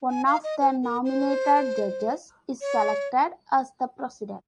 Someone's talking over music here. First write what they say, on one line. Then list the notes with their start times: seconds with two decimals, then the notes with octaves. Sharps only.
One of the nominated Judges is selected as the President.
0.10 G#5
0.26 F5
0.44 D#5
0.60 C5
0.82 A#4
1.05 C5
2.61 C#5